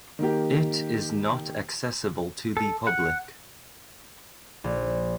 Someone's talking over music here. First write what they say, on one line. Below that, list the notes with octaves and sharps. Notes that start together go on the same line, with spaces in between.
It is not accessible to the public.
D#3 A#3 G4
A4
F#5
A#1